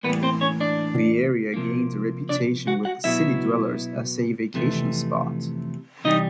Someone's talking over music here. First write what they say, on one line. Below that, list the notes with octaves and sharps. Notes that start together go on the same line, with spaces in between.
The area gained a reputation with city dwellers as a vacation spot.
A2 E3 G3 A#3 B3 B4
C4 C5
C#4 C#5
D4 D5
C3 F3 A#3
D4 D5
F#4 F#5
F#4 F#5
B2 F#3 B3 E4 E5
F2 C3 E3 A3
C3 E3 G3 D#4 D#5